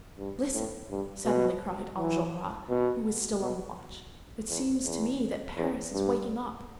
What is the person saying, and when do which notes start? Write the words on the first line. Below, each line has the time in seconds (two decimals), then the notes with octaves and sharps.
"Listen," suddenly cried Enjolras, who was still on the watch, "it seems to me that Paris is waking up."
0.19 G2
0.54 A2
0.90 G2
1.25 B2
1.98 E3
2.69 B2
3.41 B2
4.49 E2
4.85 E2
5.57 E2
5.92 G2